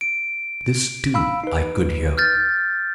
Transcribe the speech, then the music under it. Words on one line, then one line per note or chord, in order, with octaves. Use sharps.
This, too, I could hear.
D7
F5 B5 E6
D#4 B4
F6 G6 A6